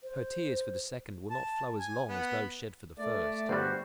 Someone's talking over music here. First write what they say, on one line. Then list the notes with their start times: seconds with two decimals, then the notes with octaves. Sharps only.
Her tears for the second will not flow as long as those shed for the first.
0.03 C5
1.30 A5
1.79 G#5
2.08 B3
2.98 A3 D5
3.49 G1 G3 F#4 C5